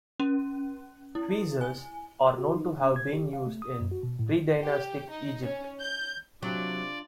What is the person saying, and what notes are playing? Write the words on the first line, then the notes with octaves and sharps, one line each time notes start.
Tweezers are known to have been used in predynastic Egypt.
C#4
E4
G#5
F#4
D#4
C#4
G#6
G4
F5
A3
D#6
F#2
F#4
B2
A2
G4
D#4
C#4
G6
C3 F#3 D4 F4 D5